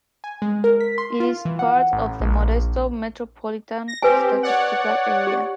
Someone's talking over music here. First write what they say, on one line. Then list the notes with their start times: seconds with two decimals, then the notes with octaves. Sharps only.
It is part of the Modesto Metropolitan Statistical Area.
0.24 G#5
0.42 G#3
0.64 A#4
0.81 B6
0.98 C6
1.20 F4
1.45 E3
1.59 F#5
1.93 A1
2.20 A#1
3.88 A#6
4.02 C4 G4 B4 G#5
4.43 C#5 D5 F#5
5.27 G4